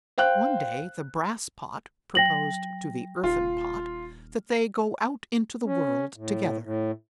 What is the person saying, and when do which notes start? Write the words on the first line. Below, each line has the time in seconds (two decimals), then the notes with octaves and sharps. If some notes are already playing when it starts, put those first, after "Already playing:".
One day the Brass Pot proposed to the Earthen Pot that they go out into the world together.
0.18 C5 F5 G5 F#6
2.15 F#3 G5 A#6 F#7
3.24 D#1 F4
5.66 C#4
6.16 A2
6.63 A2